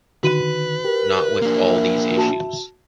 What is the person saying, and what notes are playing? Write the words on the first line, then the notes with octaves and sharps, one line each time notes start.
Not with all these issues.
D3 D#3 F#4 B4 D#7
G4 A#4
A#3 D4
E5
F#4 A5